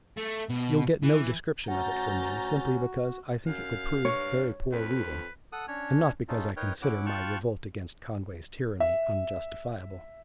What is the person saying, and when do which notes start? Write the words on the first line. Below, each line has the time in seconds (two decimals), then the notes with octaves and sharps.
You'll get no description of it from me, simply because I think it would prove very poor reading, and not because I consider my revolt against Conway's tyranny unjustifiable.
0.17 A3
0.49 B2
1.03 E3
1.68 D2 C#4 F#4 F#5 A#5 G6 A6
3.47 F#2 F5
4.05 G2 C#5
4.72 F2 B4
5.52 A4 F#5 D#6
5.68 C#4 D4 C#5
6.29 C#4 D#4 F4 A4
6.57 D#4 A#4 B4 C#5 G5
6.82 C#4 E4 F#5 D6
7.06 F4 G5 A5 C#6 F6 F#6
8.80 E5